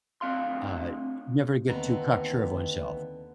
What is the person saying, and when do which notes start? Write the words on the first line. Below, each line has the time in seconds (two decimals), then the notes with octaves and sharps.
uh, never get too cock sure of oneself.
0.21 D2 C4 F5 C6
1.69 D#2 D3 B3 C4 A#5